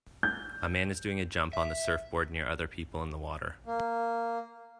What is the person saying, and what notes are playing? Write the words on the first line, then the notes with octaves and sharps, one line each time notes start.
A man is doing a jump on the surfboard near other people in the water.
G6
E5
A#3